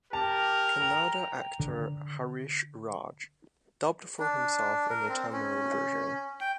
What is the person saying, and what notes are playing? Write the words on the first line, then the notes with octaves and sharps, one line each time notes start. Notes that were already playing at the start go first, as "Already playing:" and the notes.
Kannada actor Harish Raj dubbed for himself in the Tamil version.
G4 A#4 A5 F7
G5 A#5
D3
D4
A#4
C4
C#4
G5